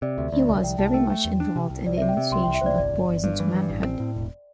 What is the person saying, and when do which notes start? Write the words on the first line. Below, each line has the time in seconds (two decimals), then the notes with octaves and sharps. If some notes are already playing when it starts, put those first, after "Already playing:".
He was very much involved in the initiation of boys into manhood.
0.02 C3 D5
0.18 D2 E5
0.32 D2 D5
0.48 C2 D5
0.63 C2 G5
0.78 C2 A5
0.94 A3 G5
1.10 A3
1.25 E2
1.40 D4
1.56 C3
1.70 C2
1.86 C2 D5
1.97 E5
2.02 C3
2.09 G5
2.17 C3 E5
2.32 C2 C6
2.43 G5
2.47 C2
2.55 E5
2.61 C2 C5 D5
2.78 G1 D5
2.93 G1
3.08 G1
3.24 G2
3.40 E3
3.55 G2
3.70 A1
3.85 C4
4.00 A2
4.16 E1